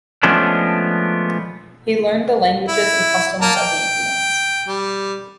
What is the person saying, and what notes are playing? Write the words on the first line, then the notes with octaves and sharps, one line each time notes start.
He learned the languages and customs of the Indians.
F3 G#3 A3 B3 C#4 D4
E4
A#3 A5 A#5
G5
G3